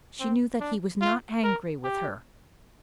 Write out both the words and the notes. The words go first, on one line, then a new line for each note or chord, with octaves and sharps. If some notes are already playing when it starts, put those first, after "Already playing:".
She knew that he was not angry with her.
C4
D4
F4
A#4
G4